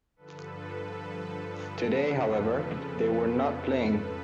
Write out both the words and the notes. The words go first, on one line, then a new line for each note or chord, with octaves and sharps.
Today, however, they were not playing.
G2 D3 F3 A4 B4
F2 C#3 F3
F2 C#3 F3 A4 B4